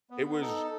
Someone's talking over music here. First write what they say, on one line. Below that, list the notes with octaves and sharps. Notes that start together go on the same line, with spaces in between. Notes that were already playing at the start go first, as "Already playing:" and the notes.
it was
B3
D#4 A4